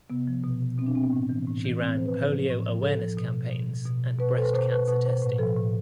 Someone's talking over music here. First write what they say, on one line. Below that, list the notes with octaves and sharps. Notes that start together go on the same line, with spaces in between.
She ran polio awareness campaigns and breast cancer testing.
C3 B3
F3
B2
B2 C4
D4
C4
B3
A2
E3
A2
E3
A2 C4
F3 C5
B4
A2
F3
A2
F3
A2 A4
F3
B2
B2
B2
B2 B4
C5
A4
B4
B2 C5
B4
B2 B4
C5
A2 B4
F3 A4
A2